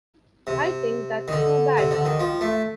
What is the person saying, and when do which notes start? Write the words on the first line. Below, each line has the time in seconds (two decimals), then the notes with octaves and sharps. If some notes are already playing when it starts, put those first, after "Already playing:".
I think that's too bad.
0.47 C3
1.28 D#3
1.32 D3
1.77 C3
1.91 D3
2.05 D#3
2.20 F3
2.41 A3